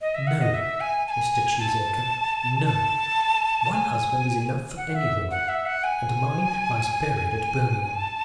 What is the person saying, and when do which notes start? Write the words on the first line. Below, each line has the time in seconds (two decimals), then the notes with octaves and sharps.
"No, Mr. Cheesacre; no. One husband is enough for any woman, and mine lies buried at Birmingham."
0.01 D#5
0.15 E5
0.27 F#5
0.41 D#5
0.54 E5
0.80 G#5
1.07 A5
1.11 G#5
1.59 A5
2.66 A5
3.72 G#5
4.77 F#5
4.95 E5
5.31 F#5
5.48 E5
5.66 F#5
5.84 G#5
7.95 A5